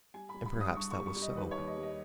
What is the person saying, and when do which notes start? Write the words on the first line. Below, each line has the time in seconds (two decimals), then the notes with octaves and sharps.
And perhaps that was so.
0.14 G3 G#5
0.29 B5
0.34 G3
0.46 B5
0.56 G2
0.61 D#6
0.76 G2 C#6
0.91 G3 C#6
1.06 C#6
1.16 G3
1.22 D#5
1.36 D#3 B4
1.51 C#5
1.57 D#2
1.67 D#5
1.77 G3
1.83 D#5